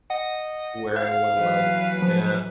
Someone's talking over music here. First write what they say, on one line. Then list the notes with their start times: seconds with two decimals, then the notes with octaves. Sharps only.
where anyone was. Yeah.
0.10 D#5 F#5
0.96 F5
1.39 E3 F#3 B4
2.02 F3